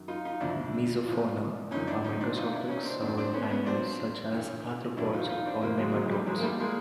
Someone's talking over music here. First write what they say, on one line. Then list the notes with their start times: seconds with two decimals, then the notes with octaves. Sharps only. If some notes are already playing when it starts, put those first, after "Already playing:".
"Mesofauna" are macroscopic soil animals such as arthropods or nematodes.
Already playing: F#2 D#3 F#3
0.08 D#4 F4
0.25 D#4 F4
0.40 F2 C3 F3 D4 E4
1.06 A2 F3
1.71 F#2 D3 F3 C#4 D#4
1.87 D4 E4
2.04 C#4 D#4
2.21 C4 D4
2.36 A2 F3 D#4 F4
2.53 D4 E4
2.68 C#4 D#4
2.85 C4 D4
3.02 F#2 D#3 F#3 C4 D4
3.17 C4 D4
3.33 B3 C#4
3.50 B3 C#4
3.66 A#2 F#3 C4 D4
4.31 G2 E3
4.97 E2 B2 F#3 D4 E4
5.13 D#4 F4
5.29 D#4 F4
5.45 C4 D4
5.61 F2 C3 E3 A#3 C4
5.78 F#3 G#3
5.94 F#3 G#3
6.06 F#3
6.11 G3
6.26 G#2 E3 F#3 G#3
6.38 A#3
6.43 G3 A3
6.60 G#3 A#3